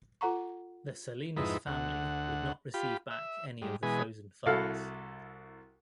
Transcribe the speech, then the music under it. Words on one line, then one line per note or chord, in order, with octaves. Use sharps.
The Salinas family would not receive back any of the frozen funds.
F4 A4 F#5 A#5 C#6
F2 G#2 D#4 E4 B4
D2 F#5
F4 G4 B5
E5
G#2 G3
B2 E3 G#3 G#5 B5 D#6
C2 E4 F#4 A4 F5 F#5